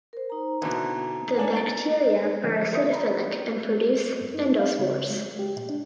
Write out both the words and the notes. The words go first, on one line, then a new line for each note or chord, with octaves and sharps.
The bacteria are acidophilic and produce endospores.
A#4 C5
D#4 A#5
B2 D3 E3
C#4 D4 G#5
A6 D7
D3 F3 G#3 C#4
G#4 A#4 C5 C#5 E5 D#6
A#5 B5
G2
D#4
F5
C#3
G#3
G#3
G4
A#2
D4